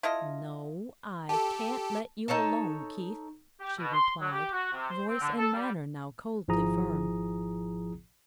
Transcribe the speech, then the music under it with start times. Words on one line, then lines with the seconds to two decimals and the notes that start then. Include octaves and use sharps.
"No, I can't let you alone, Keith," she replied, voice and manner now coldly firm.
0.03 E4 F4 A4 D#5
1.29 G4 A4 A5
2.28 D#4 A4 C#5 A5
3.60 G4
3.78 B2
3.93 C6
4.20 F#3
4.32 G4
4.52 F#4
4.73 C3
4.89 C5
5.08 C4
5.21 D3
5.37 A4
5.53 G3
6.48 G#1 F3 E4 G#4 A#5 D#6